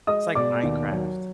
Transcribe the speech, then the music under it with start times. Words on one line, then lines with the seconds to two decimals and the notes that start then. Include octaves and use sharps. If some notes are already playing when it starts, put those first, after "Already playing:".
it's like Minecraft.
0.07 G#3 D#5 D#6
0.35 B2 D5 D6
0.63 D#2
0.92 F#3